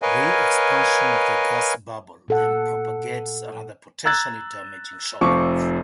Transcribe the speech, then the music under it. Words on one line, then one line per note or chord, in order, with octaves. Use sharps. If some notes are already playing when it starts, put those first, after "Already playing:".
Re-expansion of the gas bubble then propagates another potentially damaging shock wave.
A#4 B4 C#5 D#5 F5 G#5
A#2 A4 F#5
A#5 E6 F#6 G#6 A6
F1 F2 F3 C4 C#6 D6